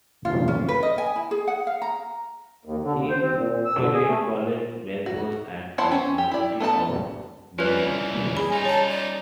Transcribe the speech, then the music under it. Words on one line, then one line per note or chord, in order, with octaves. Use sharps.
He played college baseball at the University of Miami.
F4
C#4
B4
D#5
G#5
E4
G#4
F#5
F5
A#5
D#2
D3
D#2
C5
C4
A#2
A#2
E6
D3
G#4
A3
F#4
B3 E4 C5 F#5 A5
C4 C#4
G4
E4 D5
A3 B3 C5 A5
C#2 E3 G3 C#4 F4 B4 F6
G#4 B5
D#4 F4 G#4
C#5 A5 A#5
D5